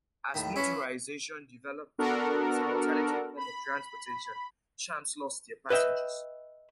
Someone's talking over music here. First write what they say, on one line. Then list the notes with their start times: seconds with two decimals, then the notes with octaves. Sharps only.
As motorization developed as an alternative form of transportation, trams lost their passengers.
0.34 D#2 A2 D#3
0.56 C#4 E4 F4 B4
1.98 B3 D4 F#4 A4 A#4 F#5
3.37 B5
5.70 B4 D#5 E5 G5